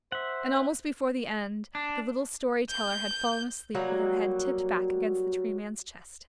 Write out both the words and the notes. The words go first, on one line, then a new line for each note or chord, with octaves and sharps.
And almost before the end the little story teller had fallen asleep with her head tipped back against the Tree Man's chest.
C5 E5 F#5
D4
G6
F#3 G3 A#3 F#4